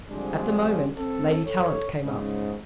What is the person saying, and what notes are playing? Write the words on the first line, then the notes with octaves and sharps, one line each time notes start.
At the moment, Lady Tallant came up.
D3 F3 G3 G#3 C4 D4
C4 A4
A4 C#5
G#2 C#3